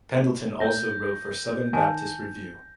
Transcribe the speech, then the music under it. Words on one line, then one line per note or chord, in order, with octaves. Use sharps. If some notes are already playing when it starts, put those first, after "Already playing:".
Pendleton also wrote for "Southern Baptist Review".
A2 A3 G6 A#6
D#3 G#5 A5